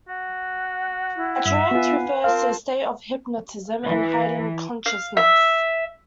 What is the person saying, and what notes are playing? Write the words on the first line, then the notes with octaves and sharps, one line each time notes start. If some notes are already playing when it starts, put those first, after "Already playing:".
A trance refers to a state of hypnotism and heightened consciousness.
F#4 F#5
E4
G2 E5
B3 F4 B4 F5 G#5
C4 F4 A#4 F5 A5
E3
F5
E5